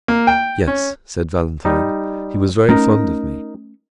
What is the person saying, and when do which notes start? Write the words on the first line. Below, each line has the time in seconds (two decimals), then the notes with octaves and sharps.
"Yes," said Valentine, "he was very fond of me."
0.08 A#3
0.27 G5
0.67 C#4
1.65 G3 D#4
2.69 A3 C#4 D#4 A#4